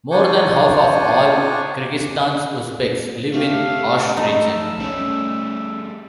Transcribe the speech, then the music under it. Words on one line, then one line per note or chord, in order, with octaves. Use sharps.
More than half of all Kyrgyzstan's Uzbeks live in Osh Region.
D4 D#4 F4 C5 G#5 C#6
C3 A3 G4 F5
D#4 A5 B5 E6
G3 A3 C#4